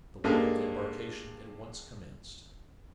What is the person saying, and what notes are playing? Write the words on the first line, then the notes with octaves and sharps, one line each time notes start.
The work of embarkation at once commenced.
G2 G#3 A#3 A4